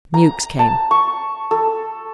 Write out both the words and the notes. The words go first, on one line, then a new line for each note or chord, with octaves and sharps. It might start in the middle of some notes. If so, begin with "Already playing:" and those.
Mewks came.
A#5
A5
C#6
A4